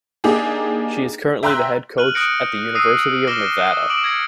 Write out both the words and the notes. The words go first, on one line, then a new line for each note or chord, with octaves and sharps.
She is currently the head coach at the University of Nevada.
A#3 D4 D#4 G4 G#4
E5 G5 A#5 C6 E6 F#6
F6 F#6 D#7 F#7
D#6 F#6 G6 A#6 C#7 D7
D#6 E6 A#6 C7 D#7
D6 F6 A#6 C#7 E7 G7
D6 D7 F#7
G#6 A#6 C#7